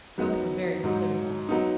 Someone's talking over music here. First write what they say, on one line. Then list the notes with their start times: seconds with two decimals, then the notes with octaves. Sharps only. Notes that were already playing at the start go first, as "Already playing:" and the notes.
Both were very hospitable.
0.18 F#2 F#3 B3 D#4
0.83 G#2 F#3 D#4
1.49 F#3 B3 D#4